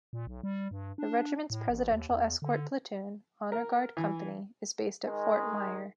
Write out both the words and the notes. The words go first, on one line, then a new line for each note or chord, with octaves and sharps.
The regiment's Presidential Escort Platoon, Honor Guard Company, is based at Fort Myer.
A#2
B1
G3
G2
D4
A2
A1
D#2
E2
D3
A#4
E3
D#3 G#3